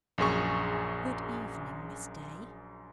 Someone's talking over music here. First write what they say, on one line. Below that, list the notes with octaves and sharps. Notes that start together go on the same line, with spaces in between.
"Good-evening, Miss Day."
A#1 F#2 G#4 C#6